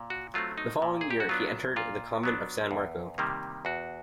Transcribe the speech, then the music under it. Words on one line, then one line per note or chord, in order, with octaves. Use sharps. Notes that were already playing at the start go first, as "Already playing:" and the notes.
The following year he entered the convent of San Marco.
Already playing: A#2
F#4
F#3 A3 C4 F4
D#4
A#2
G#4
G4
F#4
F#3 B3 D4 F4
A#2 F4
F#3 B3 D4
E2
C3 D#3 G3 A#3
E2 F#4